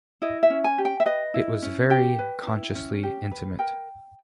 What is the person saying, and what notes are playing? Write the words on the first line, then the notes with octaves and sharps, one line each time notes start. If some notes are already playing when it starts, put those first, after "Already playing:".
It was very consciously intimate.
E4 D#5
E5
C#4
G#5
G4
G5
E5
B4 D#5
E4
C#4
G4 G5
B4
E4
C#4
G4
B4
A#4 G5